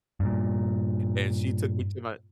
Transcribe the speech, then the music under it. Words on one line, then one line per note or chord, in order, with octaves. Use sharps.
and she took me to my
G2 A#2